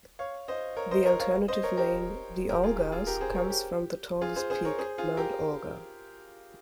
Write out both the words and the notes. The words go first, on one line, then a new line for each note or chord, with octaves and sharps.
The alternative name, "The Olgas", comes from the tallest peak, Mount Olga.
C#5 F5
C5 D#5
A#4 C#5
C5 D#5
A#4 C#5
C#5 F5
C5 D#5
A#4 C#5
G4 A#4
G4 A#4
F4 G#4
G4
F4 G#4
G4 A#4
G#4 C5
A#4 C#5
G4
F4 G#4
G#4 C5
G#4 C5
A#4 C#5
G#4 C5
F4 G#4
G4 A#4